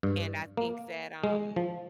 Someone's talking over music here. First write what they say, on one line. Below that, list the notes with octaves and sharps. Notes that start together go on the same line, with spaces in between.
And, I think that, um
G2
A#3
G#3
F3